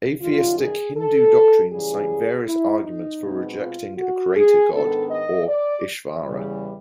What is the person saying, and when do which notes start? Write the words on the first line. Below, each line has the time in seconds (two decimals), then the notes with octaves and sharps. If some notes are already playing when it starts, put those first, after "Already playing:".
Atheistic Hindu doctrines cite various arguments for rejecting a creator God or "Ishvara".
0.22 F#2 D#3 G3 F4
0.59 G#4
0.96 A4
1.72 C#3 E3 G3 G#4
2.47 E4
2.84 D#4
3.22 B2 G#3 C4
3.60 F4
3.97 F#4
4.35 G#4
4.72 G#2 D#3 G#3 B3 D4 A4
5.10 D#5
5.48 D5
6.23 E2 C#3 E3 G3